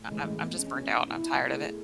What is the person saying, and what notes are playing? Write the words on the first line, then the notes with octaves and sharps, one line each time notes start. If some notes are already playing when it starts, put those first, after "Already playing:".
I I'm just burned out. I'm tired of it."
Already playing: A2
E3 G#3 A3 C#4
G#3
G#3 B3
C#4
B3 C#4 F#4
D#4
B2 E4
A3 E4 G#4